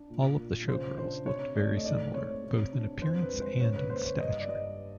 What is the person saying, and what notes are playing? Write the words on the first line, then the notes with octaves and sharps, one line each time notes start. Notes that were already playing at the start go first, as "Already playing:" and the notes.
All of the showgirls looked very similar, both in appearance and in stature.
Already playing: D4
A#2
A#2
C#3 C5
D4 C5
C3 C#5
A3 D5
D#5
G#2 D5
C4 C#5
C3
D4
F2 C5
B4
G#3
C5
C#3 C#5
B4
A#3 C5
C#5
G2 D#5
D5
G2 D#5